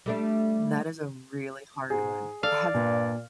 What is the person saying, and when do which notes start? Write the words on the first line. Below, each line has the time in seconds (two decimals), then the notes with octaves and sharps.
That is a really hard one, have
0.06 G3 A3 D4
1.90 G#2 G#4
2.43 A4 D5 F5
2.74 G2 A#2